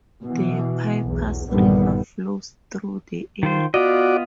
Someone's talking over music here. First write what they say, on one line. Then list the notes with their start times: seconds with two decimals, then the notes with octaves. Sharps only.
The Pipers River flows through the area.
0.24 B2 E3
1.04 B1 E2
1.48 A#1 G2 D3 D#3 G3 B3
3.43 D#3 F4 C5
3.74 B3 F4 F#4 D5 D#5